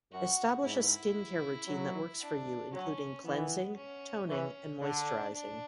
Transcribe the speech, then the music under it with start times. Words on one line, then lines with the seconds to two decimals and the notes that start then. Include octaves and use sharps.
Establish a skincare routine that works for you, including cleansing, toning, and moisturizing.
0.11 F#2 F#4
0.64 G#2 E4
1.68 F#3
2.20 D4
2.72 F#3 C#4
3.24 E3 B3
3.76 C#4
4.29 E3 C#4
4.80 D3 D4
5.33 D4